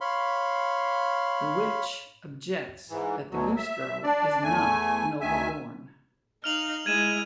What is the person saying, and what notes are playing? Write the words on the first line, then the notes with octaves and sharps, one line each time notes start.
The Witch objects that the Goose-Girl is not noble-born.
C#5 F5 B5 C6
G#2 E3
D2 B2 F#3
E5
D4 D5
E2 A3 G#5
D2 D#3 E5 G#5
D#4 F5 F6 F7 F#7
G#3 E4 G#6 D#7 E7